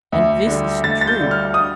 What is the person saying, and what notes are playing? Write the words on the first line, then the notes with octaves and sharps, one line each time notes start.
And this is true.
D2
D3 G3
D2 A6
A6
G6
D3 G3
F6
D#6